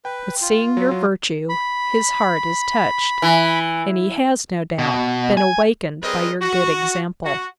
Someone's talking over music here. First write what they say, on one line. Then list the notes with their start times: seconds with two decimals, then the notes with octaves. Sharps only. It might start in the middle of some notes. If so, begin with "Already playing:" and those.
But seeing your virtue, his heart is touched; and he has, no doubt, been awakened by your good example.
0.05 B4 G5
0.41 F4
0.77 F#3
0.91 F#3
1.49 B5
3.22 E3
4.79 B2
5.37 G#5
6.03 G3 C4 G#4 A#4 B4 D#5
6.41 F#4
7.25 F#4